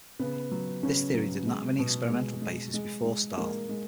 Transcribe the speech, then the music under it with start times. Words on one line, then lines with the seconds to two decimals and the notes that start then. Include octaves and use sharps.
This theory did not have any experimental basis before Stahl.
0.19 C#3 B3
0.51 F#3
0.83 C#3 C#4
1.14 F#3
1.46 G#3
1.79 B2
2.10 G#3
2.42 G#3
2.74 G#3
3.05 G#3
3.38 G#3 A#3
3.69 G#3